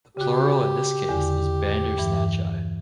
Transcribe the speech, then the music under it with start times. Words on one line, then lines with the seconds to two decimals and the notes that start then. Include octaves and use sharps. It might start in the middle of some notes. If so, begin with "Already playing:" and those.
The plural in this case is bandersnatchi.
0.17 C#3 F#4 G4
1.09 E2 D3
1.98 G2 E3